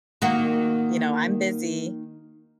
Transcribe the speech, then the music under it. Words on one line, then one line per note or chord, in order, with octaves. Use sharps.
you know, I'm busy
D#3 A#3 F#4